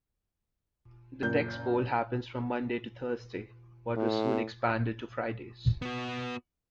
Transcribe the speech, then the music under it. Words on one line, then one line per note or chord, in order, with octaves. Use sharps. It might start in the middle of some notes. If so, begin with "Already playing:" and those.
The text poll happens from Monday to Thursday, but was soon expanded to Fridays.
F#1 A#2 A#4 G6
A2
B3 F#4